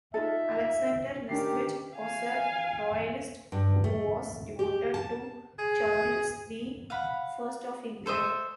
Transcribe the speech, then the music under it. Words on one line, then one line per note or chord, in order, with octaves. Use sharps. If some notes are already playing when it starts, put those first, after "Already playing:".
Alexander Nesbit was a royalist who was devoted to Charles the First of England.
D#4 F4 A4 E5
D#3 C#4 D4 G4 C7
F5 G#5
G2
A3
G4
A5
G#4
F5 F#5 B5
A4 C5 E5 D#6